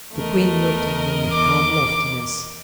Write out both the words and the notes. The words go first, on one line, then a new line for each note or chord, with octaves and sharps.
The queen looked at him with calm loftiness.
E2 A3 A#4 D#5
D6